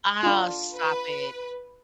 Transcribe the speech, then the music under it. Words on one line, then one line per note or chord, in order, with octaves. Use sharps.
Oh, stop it.
D4 F4
B4